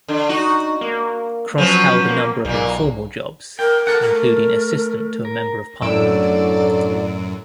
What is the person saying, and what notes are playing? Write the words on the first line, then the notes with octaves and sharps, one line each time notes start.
Cross held a number of informal jobs including assistant to a member of parliament.
D3
D#4 F#4
A#3
F3 F#3 B3 C#4
A#3
B1 A#2 A#3
A#4 G5
A4 A#4 F#5
A3 A#4
A#4
F#2 A2 D3 F#3 D5 E6 D7